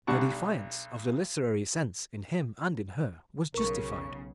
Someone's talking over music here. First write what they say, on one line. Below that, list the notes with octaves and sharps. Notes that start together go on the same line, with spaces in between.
Her defiance of the literary sense in him and in her was justified.
B1 G3 D4 F#5 A5 C#6
B1 C#3 A#4 C#6